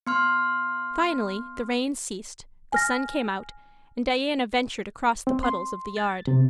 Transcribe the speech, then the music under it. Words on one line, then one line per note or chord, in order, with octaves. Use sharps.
Finally the rain ceased, the sun came out, and Diana ventured across the puddles of the yard.
B3 C6 F6
G#5 F6 A#6
C4
C6
A6
C3